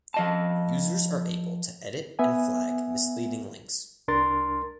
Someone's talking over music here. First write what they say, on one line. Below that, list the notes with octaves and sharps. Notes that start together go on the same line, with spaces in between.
Users are able to edit and flag misleading links.
F3 D#5 A5
B3 E5 G#5
C2 D4 A#4 C6 A6